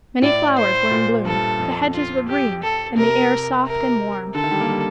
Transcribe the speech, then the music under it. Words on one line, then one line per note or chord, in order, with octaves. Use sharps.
Many flowers were in bloom, the hedges were green, and the air soft and warm.
A2 D5
C5
A#2
G2 A4
F2
F4
G4
A4
C3 A#4
A#4
D3 A4
D#3
G3
A#3
G3